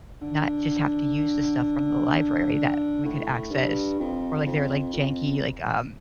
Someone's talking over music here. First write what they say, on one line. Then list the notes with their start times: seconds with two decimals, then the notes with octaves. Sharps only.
not just have to use the stuff from the library that we could access. Or, like, their, like, janky, like, um,
0.22 D3
3.05 A2
3.51 G2
3.99 F2
4.46 F2
4.93 F2